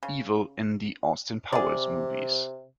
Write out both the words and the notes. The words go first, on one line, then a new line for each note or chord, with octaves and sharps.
Evil in the Austin Powers movies.
C#3
C3 G#4 D5